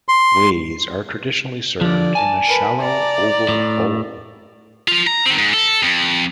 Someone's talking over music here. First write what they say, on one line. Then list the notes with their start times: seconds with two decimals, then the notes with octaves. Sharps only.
"Ways" are traditionally served in a shallow oval bowl.
0.09 C6
1.81 D3 F3 D5
2.15 G#5 A5
2.47 A#4 B4
2.80 D5 A#5
3.49 A2
4.88 F3 F4
5.07 A#5
5.26 D#3 C4
5.38 G#2
5.54 A4
5.83 F2